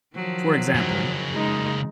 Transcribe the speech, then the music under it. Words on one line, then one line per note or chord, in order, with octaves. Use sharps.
for example,
D#3 F3 F#3
C#3 A#3
G#3 D#4